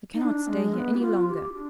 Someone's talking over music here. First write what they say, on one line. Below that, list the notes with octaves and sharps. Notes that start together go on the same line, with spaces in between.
I cannot stay here any longer.
D#4
D4
G#3
B3
G4
F4
G4
D4